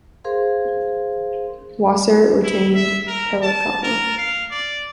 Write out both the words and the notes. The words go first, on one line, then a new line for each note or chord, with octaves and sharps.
Wasser retained Pellicano.
G#4 A#4 C5 F5 C6
E4
E5
A#4
A5
A#4
F5
D5